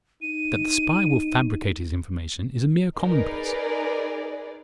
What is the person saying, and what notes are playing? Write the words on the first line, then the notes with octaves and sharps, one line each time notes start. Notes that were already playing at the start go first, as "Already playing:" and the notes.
That the spy will fabricate his information is a mere commonplace.
D#4 D#7
D#4 G#4 A#4 B4 D5